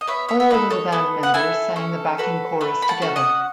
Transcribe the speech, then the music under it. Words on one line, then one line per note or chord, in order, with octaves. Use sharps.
All of the band members sang the backing chorus together.
D#5
B3 C#5 E5
C#5 E5
E5
D#4 A4 B4 D#5
A4 C#5
B3 A4
F#5
E4 A4 E5 G#5
C#4 A4
F#4 A4 B4
A3 B4
B5
F#5 A5
C#4 F#4 A4
D#5 F#5